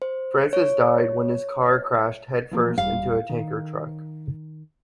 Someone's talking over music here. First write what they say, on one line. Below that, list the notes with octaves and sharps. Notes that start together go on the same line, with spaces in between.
Francis died when his car crashed head first into a tanker truck.
C5
C#5
E3 F3 A#3
E1 G3 F5
D#3